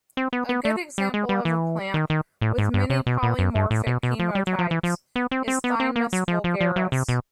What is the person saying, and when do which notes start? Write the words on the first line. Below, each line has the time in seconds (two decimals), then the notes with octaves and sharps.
A good example of a plant with many polymorphic chemotypes is "Thymus vulgaris".
0.17 C4
0.33 B3
0.49 B3
0.65 A3
0.98 G3
1.14 G#3
1.29 G3
1.45 E3
1.94 D#3
2.10 D#3
2.41 A2
2.58 G#2
2.74 G2
2.90 C3
3.07 B2
3.23 A#2
3.39 F#2
3.55 G2
3.71 A2
3.87 B2
4.03 B2
4.19 F3
4.35 G3
4.47 F#3
4.59 F3
4.71 E3
4.83 F3
5.16 B3
5.31 C4
5.48 C4
5.64 B3
5.80 C4
5.96 A#3
6.13 F#3
6.28 F3
6.44 F3
6.61 F3
6.76 F#3
6.92 C3
7.09 B2